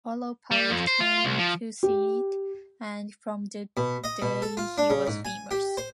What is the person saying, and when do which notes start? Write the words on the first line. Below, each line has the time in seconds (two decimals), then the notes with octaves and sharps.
All of Paris came to see it, and from that day he was famous.
0.51 G3
0.70 F2
0.87 C5
1.00 F4
1.25 C2
1.39 F3
1.83 G4
3.77 B2
4.04 D#5
4.22 B2
4.42 A4
4.57 F4
4.78 D4
4.90 C#3
5.07 G#2
5.25 G#5
5.51 G4
5.77 C5